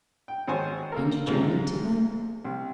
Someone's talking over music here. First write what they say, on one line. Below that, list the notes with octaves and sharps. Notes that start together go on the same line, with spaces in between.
"And you journeyed to them?"
G5
G#1 F#4 C5 C#5 G#5
A#3 A4 A#4
G#2 C3 F3 G#3 A#3
C2